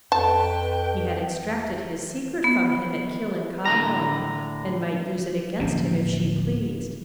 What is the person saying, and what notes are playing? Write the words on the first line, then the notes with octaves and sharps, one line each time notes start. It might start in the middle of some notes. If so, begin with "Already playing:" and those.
She had extracted his secret from him at Killancodlem, and might use it against him if she pleased.
F2 B4 G5 A5
B3
A2 D3 A#5
D1 F3 A#3